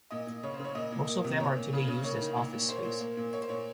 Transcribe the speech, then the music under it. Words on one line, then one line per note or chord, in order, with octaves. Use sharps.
Most of them are today used as office space.
A#2 D#5
A#2
C#3 C#5
C5
C#3
C#5
A#2 D#5
A#2
A#3
C3
A#2 C#5
A#2
C#3
C#3
A#3 C#5
D#3
A#2
A#2
A#3 C5
C#5
A#2 C5
A#3
A#2
A#3 C#5
C5
A#2 C#5